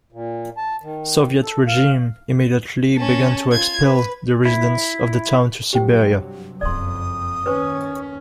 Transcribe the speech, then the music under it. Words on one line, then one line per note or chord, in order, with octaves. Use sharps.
Soviet regime immediately began to expel the residents of the town to Siberia.
A#2
A5
D#3
A4
F5
C#4 A5
F4 G#6
B4
E4
G2 C3 F#3 G4 C5 G5
F#1 F2 D5 C6 D#6
D#2 D#3 C#4 B4 C5